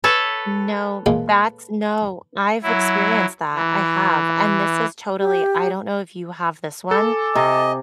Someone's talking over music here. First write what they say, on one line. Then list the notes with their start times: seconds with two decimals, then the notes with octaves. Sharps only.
No. That's no, I've experienced that, I have, and this is totally I don't know if you have this one,
0.04 A4 B4 C#5
1.06 A#2 G#3 A#3
2.63 F#3 E4
3.55 E3
5.20 G4
6.91 A4 G#5 D6
7.36 C3 D#5